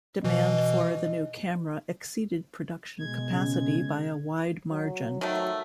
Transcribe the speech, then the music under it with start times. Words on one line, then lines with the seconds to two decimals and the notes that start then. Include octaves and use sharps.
Demand for the new camera exceeded production capacity by a wide margin.
0.24 B2 E3 D#5
2.99 B2 G#3 G#6
3.31 C#3
4.70 F#3
5.21 D#3 F3 F#3 A3